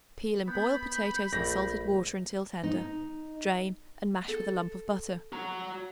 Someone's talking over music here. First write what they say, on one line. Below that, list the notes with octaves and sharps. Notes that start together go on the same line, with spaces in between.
Peel and boil potatoes in salted water until tender; drain and mash with a lump of butter.
B3 B5 G6
A#1 A3 A#6
D#4
A4
F#4 A#5